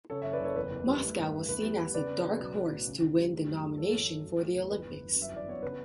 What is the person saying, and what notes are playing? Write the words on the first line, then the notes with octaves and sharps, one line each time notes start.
Moscow was seen as the dark horse to win the nomination for the Olympics.
C#3 A4 C#5
C#5 E5
F#1
B4 D5
F#1 A4 C#5
E2 B4
E2
G3
A3
G2
A3
E2 B4
G3
B3
C#3 B4 D5
C#3
F#3
B1
B1
A2
C#3
D2
G3
A3
F#2
F#2
E3 A4 C#5
A1
A1
F#3
A3
E2
G1 B4
G1
G1
F#2
E5
E3
D5
B3 C#5
C#3 B4